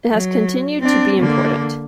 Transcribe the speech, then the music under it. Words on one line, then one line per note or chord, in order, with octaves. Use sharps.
It has continued to be important.
F#3
C4 D4
D3 A#3